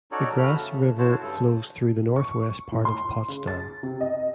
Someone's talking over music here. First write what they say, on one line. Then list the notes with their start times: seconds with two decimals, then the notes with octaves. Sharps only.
The Grasse River flows through the northwest part of Potsdam.
0.12 C#4 D#4 F#4 A4 C#5 D5
0.38 E2 C#3 F#4 A4 B5 F6
0.58 C#3 A3
0.98 E4 F#4 C5 C#5 A5
1.21 G2 C#3 A4
2.16 C#6
2.72 A2
2.85 C6
3.29 C#3
3.47 A6
3.83 C3
4.01 D#5